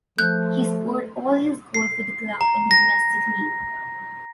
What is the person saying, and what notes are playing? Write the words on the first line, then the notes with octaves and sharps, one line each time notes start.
He scored all his goals for the club in the domestic league.
F3 A3 F#6 G6
C7
A#5
A#6